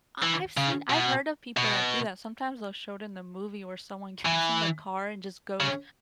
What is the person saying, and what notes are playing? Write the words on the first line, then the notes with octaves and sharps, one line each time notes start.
Uh, I've seen I've heard of people that do that, sometimes they'll show it in the movie where someone gets in the car and just goes
E3
C#3
B2
B2
E3
C#3